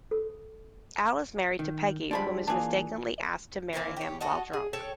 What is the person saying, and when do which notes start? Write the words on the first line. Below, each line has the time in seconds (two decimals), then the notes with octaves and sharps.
Al is married to Peggy, whom he mistakenly asked to marry him while drunk.
0.11 A4
1.59 D#3
2.11 D3 F3 G3 G#3 D4 B5
2.48 E3 A#3 D4 F4 G#4
3.73 E3 A#3 C4 E4
3.97 G4 C#5
4.21 F#4 A4 D#5 F#5
4.53 G#4
4.73 A4 C#5 G5 A5